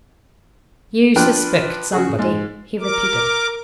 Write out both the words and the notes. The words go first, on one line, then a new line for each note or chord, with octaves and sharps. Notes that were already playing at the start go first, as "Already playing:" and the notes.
"You suspect somebody," he repeated.
F3 D4 B4 G5 F#6
C#3 F#4 G#4
G#2
A#4 D6